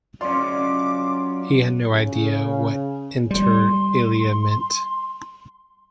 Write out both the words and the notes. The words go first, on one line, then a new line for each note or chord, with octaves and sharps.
He had no idea what inter alia meant.
F#3 C#4 F4 D5 C6 D6
C#3
G3 C6